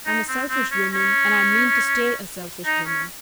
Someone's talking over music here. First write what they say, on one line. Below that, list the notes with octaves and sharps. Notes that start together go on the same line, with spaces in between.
I'm a selfish woman, and I mean to stay a selfish woman.
D#4
C4
C4
C#4
C#4
D#4
C#4